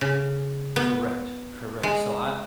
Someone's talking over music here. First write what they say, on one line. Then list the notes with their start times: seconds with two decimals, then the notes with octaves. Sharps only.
Correct. Correct. So I
0.01 C#3
0.76 B3
1.83 G#3